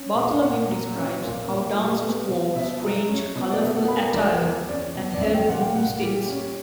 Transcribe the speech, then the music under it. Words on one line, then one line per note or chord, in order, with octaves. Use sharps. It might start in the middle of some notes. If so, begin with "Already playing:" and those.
Bartholomew describes how dancers wore "strange, colorful attire" and "held wooden sticks".
Already playing: C#4
A#2
A#2 F#5
F#3
C#4
A#2
A#2
G3
B3
B2
B2 E5
F#3
C#4
B2
D5
B2 E5
F#5
A#3 B5
A#5
A#3 D5
E2
C#4 D5
B2
D5
C#4 E5
G5
A#2 F#5
G5
A#2 F#5
G3
C#4